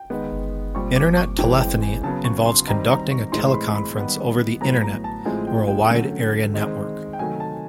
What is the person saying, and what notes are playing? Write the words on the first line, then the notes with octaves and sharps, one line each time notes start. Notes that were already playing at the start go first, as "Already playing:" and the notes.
Internet telephony involves conducting a teleconference over the Internet or a Wide Area Network.
Already playing: G5
D#3 G#3 B3
A#2 G3 C4 C#6
D6
C#6
E3 G#3 C4 G5
G5
G#5
C#3 F#3 B3 A5
C#6
C6
D#3 G3 C4 A#5
A#5
C#6
A2 E3 G#3 C4 C6
C6
B5
B5
D#3 G3 B3
A2 F#3 B3 A#5
A#5
A5
A2 F3 G#3 C4 G#5
G5
G5
D3 F#3 A3 C#4
D#3 G#3 C4
G5
C3 D#3 F#3 A3 G#5
A5